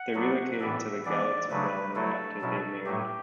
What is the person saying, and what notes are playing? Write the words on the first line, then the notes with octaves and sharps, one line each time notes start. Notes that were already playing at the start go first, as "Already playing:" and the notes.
They relocated to the Gallatin Valley after they married.
Already playing: F#5
F#3 B3 D4
A2 E3 B3 D4 E5
E3 B3 D4 D5
C#3 F#3 A3 D4 B4
F#3 A3 E4 A4
B2 F#3 C#4 E4
A2 F#3 A3 G4